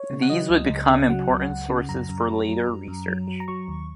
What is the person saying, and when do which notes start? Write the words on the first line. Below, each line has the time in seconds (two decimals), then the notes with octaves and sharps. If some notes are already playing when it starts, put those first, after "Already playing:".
These would become important sources for later research.
Already playing: C#5
0.10 C#3
0.22 F#5
0.30 F#3 D#5
0.50 C#2
0.69 C#2
0.89 C#3
1.09 F#3 F#5
1.29 C#2
1.49 C#2
1.69 C#3
1.89 F#2 A#5
2.09 F#2
2.29 F#3
2.49 F#3
2.68 F#2
2.88 F#2
3.08 F#3
3.27 F#3
3.40 A#5
3.48 F#3 C#6
3.68 D#2